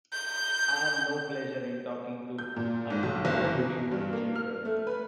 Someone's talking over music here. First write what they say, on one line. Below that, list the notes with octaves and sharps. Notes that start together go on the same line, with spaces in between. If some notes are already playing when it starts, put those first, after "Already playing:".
I have no pleasure in talking to undutiful children.
G6
G6
A#2
G#2
B1
F#1
E3
B2
G2
A#3
F6
A3
B4